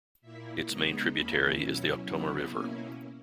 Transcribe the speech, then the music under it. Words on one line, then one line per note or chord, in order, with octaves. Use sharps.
Its main tributary is the Ukhtoma River.
A#2 A#3 E4 E5
C#3 G#3 B3 D#4 A#5
D#2 D#3 A#3 C#4 E4 B5
B2 F#3 C#4 E4
C#3 F#3 B3 E4 F#5
B2 A#3 C#4 E4 G#5